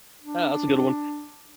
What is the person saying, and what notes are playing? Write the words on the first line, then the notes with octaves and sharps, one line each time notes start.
Ah, that's a good one.
D4